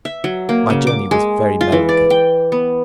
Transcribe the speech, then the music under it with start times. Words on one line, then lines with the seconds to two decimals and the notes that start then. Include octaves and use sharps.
My journey was very melancholy.
0.05 E5
0.24 F#3
0.49 A#3
0.70 C#3
0.87 D6
1.11 G#3
1.61 F4
1.72 E3
1.89 D5
2.10 G5
2.52 B3